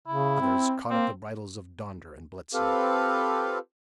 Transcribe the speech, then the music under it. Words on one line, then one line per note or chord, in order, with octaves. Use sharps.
Others caught at the bridles of Donder and Blitzen.
C#3 E4
C4
A#3 C4
C4 F4 G4 A4 B4 F5